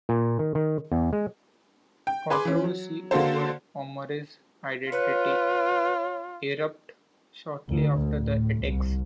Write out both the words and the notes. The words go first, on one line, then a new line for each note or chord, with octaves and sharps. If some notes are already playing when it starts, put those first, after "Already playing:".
Controversy over Omari's identity erupted shortly after the attacks.
A#2
D#3
D#3
E2
G#3
G5
G#4 B4 C6 D6
E3 C#4
F#3
D3 A#3 F#4 A4 C5
F4 B4 C#5
D2
A2
C2